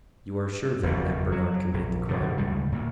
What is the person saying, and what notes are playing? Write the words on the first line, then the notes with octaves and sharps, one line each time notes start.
"You are sure, then, that Bernard committed the crime?"
F#1 E2 B2
F#3
A#1
B1 D3
D2 G#2 C#3 G3
D2 A#2